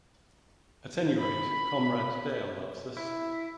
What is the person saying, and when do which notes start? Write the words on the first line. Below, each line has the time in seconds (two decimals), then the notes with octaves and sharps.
At any rate, Comrade Dale loves us.
1.19 B5
2.97 E4